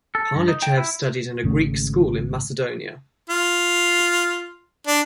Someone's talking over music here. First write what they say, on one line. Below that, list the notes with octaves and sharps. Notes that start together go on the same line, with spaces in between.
Parlichev studied in a Greek school in Macedonia.
A4
G2
D#4
G5
E4
G#1 C#3 A3
F4
D4